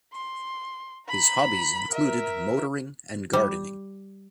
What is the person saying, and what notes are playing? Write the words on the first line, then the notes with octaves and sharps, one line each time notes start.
His hobbies included motoring and gardening.
C6
A#5 B5
A#4 E5
G3